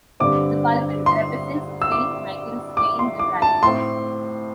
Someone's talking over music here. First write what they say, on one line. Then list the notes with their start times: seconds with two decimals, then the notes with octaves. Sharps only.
The pulpit represents Saint Michael slaying the dragon.
0.20 G2 D3 C4 D6
1.06 C6
1.82 E6
1.92 D6
2.77 D6
2.99 C6
3.19 D6
3.42 A5
3.63 A2 A3 C4 C6